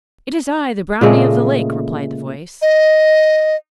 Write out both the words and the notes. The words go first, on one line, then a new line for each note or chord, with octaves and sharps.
'It is I, the brownie of the lake,' replied the voice.
A#2 C#3 G#3 A3
D#5